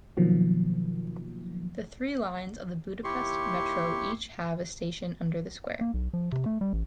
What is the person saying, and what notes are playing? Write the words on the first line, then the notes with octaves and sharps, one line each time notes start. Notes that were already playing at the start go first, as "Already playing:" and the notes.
The three lines of the Budapest Metro each have a station under the square.
B2 D#3 F3 F#3 A#3
D#2 E4 G4 C6 C#6
A#3
B1
F3
C3
A3
G3
A1